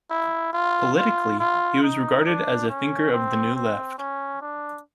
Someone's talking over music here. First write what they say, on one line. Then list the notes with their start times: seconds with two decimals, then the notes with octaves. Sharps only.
Politically, he was regarded as a thinker of the New Left.
0.10 E4
0.53 F4
0.97 F4
1.39 F4
1.83 D#4
2.26 D4
2.69 C#4
3.12 C4
3.55 C4
3.98 C#4
4.41 D4